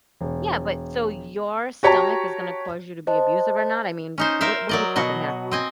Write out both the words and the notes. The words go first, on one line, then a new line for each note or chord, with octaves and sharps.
Yeah, but so your stomach is gonna cause you to be abusive or not? I mean, what what are we talking here?
E1
F#4 G4 C#5 A5 A#5 C#6
C5 D#5 A5
C#4 D#4 C5
A#4 C5 E5 F5
F#3 D5 D#5
B2 F#4 D#5
C4 D#5 G#5